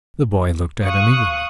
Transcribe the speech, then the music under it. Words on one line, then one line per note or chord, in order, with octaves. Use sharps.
The boy looked at him eagerly.
F5 C#6 D#6 F#6